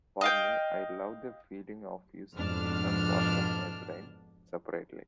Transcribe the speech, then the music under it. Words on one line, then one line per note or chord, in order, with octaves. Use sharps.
For me, I love the feeling of using different parts of my brain separately.
D#5 F5 G5
F2 G#2 B2 D4 F6